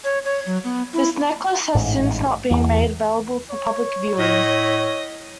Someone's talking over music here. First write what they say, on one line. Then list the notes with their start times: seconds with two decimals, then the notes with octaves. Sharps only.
This necklace has since not been made available for public viewing.
0.04 C#5
0.24 C#5
0.46 F#3
0.64 B3
0.93 E4
1.75 A1 G#2
2.51 E2
3.51 C#5
4.18 A2 D#5